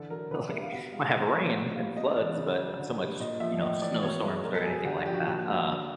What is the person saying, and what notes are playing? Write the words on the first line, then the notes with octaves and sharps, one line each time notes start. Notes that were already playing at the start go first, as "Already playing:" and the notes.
like, might have rain and floods, but not so much, you know, snowstorms or anything like that. Uh,
Already playing: D3 E3 A4
F#3 A#4
D3 B4
B4
G3 E5
F5
B2 F#5
G#3 F5
A#2
F3
A#2 F#5
G3 F5
C3 D#5
E3 D5
C#3
F#3
D3
G3
A#2 D#5
F3 E5
A2 D#5
E3 D5
B2 C#5
G#3 B4
B2 A#4
A4
F#3 G#4
G#4
D3 G4
F3 G4
F#4
F4
A#2 F#4
F#3
D3